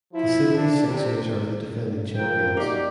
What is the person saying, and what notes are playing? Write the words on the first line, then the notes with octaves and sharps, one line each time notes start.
The Sydney Sixers are the defending champions.
F3 E4
D4
C3
F3 A#4 G5
A#3 D#4 F#4 G4 D5